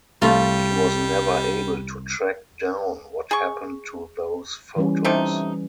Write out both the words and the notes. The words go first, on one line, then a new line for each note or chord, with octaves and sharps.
He was never able to track down what happened to those photos.
C2 G3 A3 F4
G#4 C#6
E3 G3 C#4
C3 A3 D#4